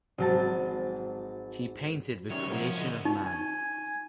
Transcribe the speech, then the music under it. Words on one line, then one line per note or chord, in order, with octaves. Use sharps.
He painted the Creation of Man.
G#1 F#3 A5
F#2 C3 D#3 C#4 C#5 D5
B1 C4 A#4 F#5
F3 C#4
D2 G#2 E4 G#4 D#5
D#4
G#5